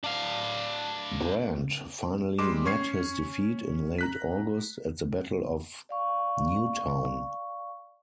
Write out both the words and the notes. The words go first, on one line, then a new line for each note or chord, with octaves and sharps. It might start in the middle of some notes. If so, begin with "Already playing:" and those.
Brant finally met his defeat in late August at the Battle of Newtown.
D4 F5
G3 G#3 C6 D6 E7
C#4 C#6 G#6 C7
A#5 F#6 B6
D5 F5 C#6